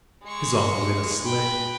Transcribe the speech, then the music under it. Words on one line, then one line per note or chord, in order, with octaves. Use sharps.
His arm was in a sling.
G#3 C#6
B4 G5